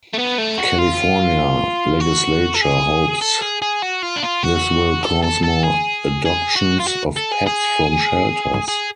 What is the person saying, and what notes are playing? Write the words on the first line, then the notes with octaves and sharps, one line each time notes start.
California legislature hopes this will cause more adoptions of pets from shelters.
A3
B3
A3
F#4
F4
F#4
A4
G#4
A4
G#4
G#4
F#4
F4
D4
F4
F#4
A4
A4
A4
G#4
G#4
F#4
F4
F#4
A4
G#4
G#4
G#4